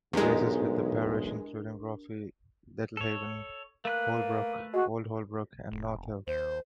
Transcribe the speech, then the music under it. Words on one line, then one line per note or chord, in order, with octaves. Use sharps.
Places within the parish include Roffey, Littlehaven, Holbrook, Old Holbrook and North Heath.
B1 E2 G#3 D4 G4 A#4
A4 C#5
A3 A#3 B4 F#6
G#3 F#4
F1
D#2 C5